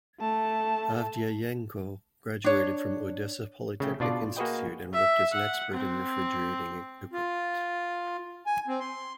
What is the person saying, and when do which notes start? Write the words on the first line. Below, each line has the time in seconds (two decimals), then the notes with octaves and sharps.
Avdyeyenko graduated from Odessa Polytechnic Institute and worked as an expert in refrigerating equipment.
0.20 A3 A5
2.44 D4 C#5
3.80 C#3 A3 G5
4.00 B2 D4 F4 D5
4.36 A#3 F#4 G#4 B4 D#5 G5
4.94 E5
5.33 F#5
5.74 C4
7.11 F4
8.46 G#5
8.68 C4
8.80 C6